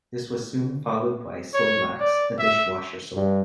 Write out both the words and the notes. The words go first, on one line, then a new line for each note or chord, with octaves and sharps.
This was soon followed by Soilax, a dishwasher soap.
C#5
D5
E5
G2